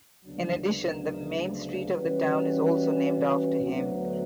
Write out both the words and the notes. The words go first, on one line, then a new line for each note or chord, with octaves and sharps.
In addition, the main street of the town is also named after him.
D2 C#3 F#3 B3 D4
E3 G3 C#4 F#4 B4
D2 D3 F#3 B3